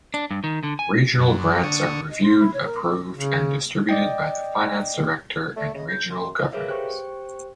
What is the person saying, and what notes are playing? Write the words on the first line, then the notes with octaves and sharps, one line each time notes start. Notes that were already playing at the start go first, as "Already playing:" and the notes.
Regional grants are reviewed, approved, and distributed by the Finance Director and Regional Governors.
D4
G2
D#3
D3
G#5
F#2
D3 C#6 D#6
D#5
C6
E4
C#5
A#4
E6
C#3
D5 D#5 G5
A3 D5
C#3 D#5
G6
F#2 C6
G#4 A#4 B4 C#5 E5 F5
G4 C5 G5 C#6